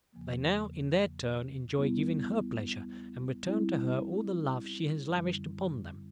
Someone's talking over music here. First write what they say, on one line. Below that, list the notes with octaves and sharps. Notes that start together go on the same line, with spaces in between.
They now, in their turn, enjoy giving her pleasure, and return to her all the love she has lavished upon them.
E2 C#3 F3 A#3
G3 B3 E4
G3 C4 E4
F#2 D3 G3